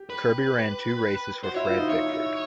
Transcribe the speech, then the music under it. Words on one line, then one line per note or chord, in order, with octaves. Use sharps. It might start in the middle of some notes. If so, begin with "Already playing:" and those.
Kirby ran two races for Fred Bickford.
Already playing: G4
B4
F#4 C5
E4 C#5
F4 C5
D#4
E4 C#5
E4